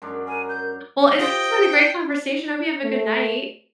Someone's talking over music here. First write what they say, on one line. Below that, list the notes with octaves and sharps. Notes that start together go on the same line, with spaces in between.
Well, it's been a great conversation, I hope you have a good night.
F#2 G#3 D4
A#4 G#5
G6
F4 G4 C5 D#5 G5
A3